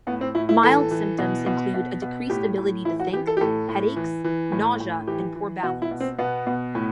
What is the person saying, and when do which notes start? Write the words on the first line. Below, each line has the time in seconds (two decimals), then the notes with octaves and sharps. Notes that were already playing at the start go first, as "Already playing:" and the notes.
Mild symptoms include a decreased ability to think, headaches, nausea, and poor balance.
0.07 A2 B3
0.21 C4
0.35 A2 E4
0.49 E4
0.63 E3 A4
0.91 E3
1.18 B2
1.46 B2
1.74 B2
2.02 B2
2.30 A2 G4
2.58 A2
2.85 E3 E4
3.00 F#4
3.13 E3 G4
3.27 A4
3.37 G4
3.41 A2 A4
3.69 A2
3.96 E3
4.24 E3
4.52 A2
4.80 A2
5.07 E3 G4
5.35 E3
5.63 B2 F#4
5.82 E4
5.91 B2
6.00 C4
6.18 B2 B3
6.47 B2
6.75 A2